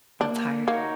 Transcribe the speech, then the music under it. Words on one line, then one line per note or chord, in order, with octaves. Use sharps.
that's hard.
A#3 D4
A#3 D#4 F#4 A#4 C#5